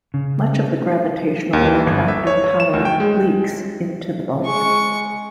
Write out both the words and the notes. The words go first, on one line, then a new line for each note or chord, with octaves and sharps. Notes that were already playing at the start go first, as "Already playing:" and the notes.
Much of the gravitational attractive power "leaks" into the bulk.
C#3
D#2
E3
G1
E5
C#5
E7
D2
G5
G#3
G#3 C#6